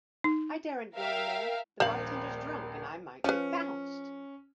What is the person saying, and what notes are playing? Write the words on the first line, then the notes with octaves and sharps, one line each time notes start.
I daren't go in there; the bartender's drunk, and I might get bounced.
D#4
A#4 E5 F5 G5
D#1 A#1 C5 F5 F#7
F3 C#4 B4